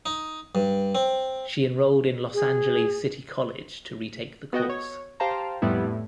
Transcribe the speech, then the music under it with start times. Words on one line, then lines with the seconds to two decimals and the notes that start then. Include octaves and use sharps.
She enrolled in Los Angeles City College to retake the course.
0.06 D#4
0.55 G2
0.95 C4
2.34 G#4
4.53 B3 F#4 D#5 G5
4.70 C#5
5.20 G4 C5 F5 G5 A5 A#5
5.62 F2 A2 G3 B3 E4
5.87 A2